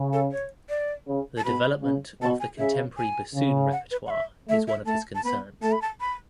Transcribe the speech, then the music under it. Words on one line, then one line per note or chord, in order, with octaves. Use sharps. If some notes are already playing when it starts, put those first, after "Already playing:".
The development of the contemporary bassoon repertoire is one of his concerns.
Already playing: C#3
A4
C#5
D5
C#3
A5
B2 B5
C#3
B2 A5
G#5
C#3 E5
G#5
C#3
F#5
B4
F#5
E5
A3 E5
E5
A3 A5
A5
B3 B5
A3 A5
B5
A5
B5